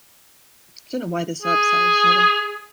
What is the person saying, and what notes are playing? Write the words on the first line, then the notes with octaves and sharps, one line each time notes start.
I don't know why they're so upset at each other.
G#4